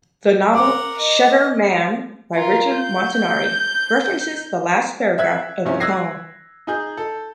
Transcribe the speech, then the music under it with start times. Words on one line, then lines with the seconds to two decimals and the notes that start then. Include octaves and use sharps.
The novel "Shutter Man" by Richard Montanari references the last paragraph of the poem.
0.55 A#4 F#5 D6
0.98 D#5
2.35 F4 A#4
2.76 G6
5.18 E5 F#6 G#6 B6
5.65 G2 C3 F3 F#3 C#4 E4
5.80 E6 F#6 G#6 A#6 C7
6.67 D#4 G#4 G6
6.97 A4